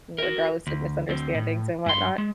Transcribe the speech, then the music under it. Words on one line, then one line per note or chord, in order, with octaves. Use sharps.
regardless of misunderstandings and whatnot.
F#4 A#4
D2
D2 C4
A2
G2 C6
G#3